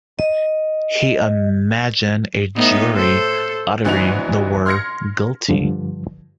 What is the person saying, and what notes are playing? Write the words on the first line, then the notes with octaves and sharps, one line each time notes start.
He imagined a jury uttering the word "Guilty."
D#5
A2 B3 D#4
A4 C5
G#1 D2 E3 D#4 F#4 F7
C6 F6 G#6 A#6 C#7
G2 D3 F3